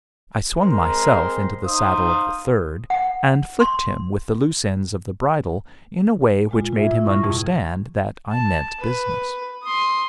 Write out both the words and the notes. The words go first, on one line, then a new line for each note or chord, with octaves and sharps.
I swung myself into the saddle of the third, and flicked him with the loose ends of the bridle in a way which made him understand that I meant business.
G#3 C4 A#4 C5 A#5 C6
D#4 C5 F5 D#6
F#5
C6
A#2 G#3 F4
F4 E5
E4
C#6 F6 A#6
F2 G#2 B2 E3 G3
A5
B4
C6 D#6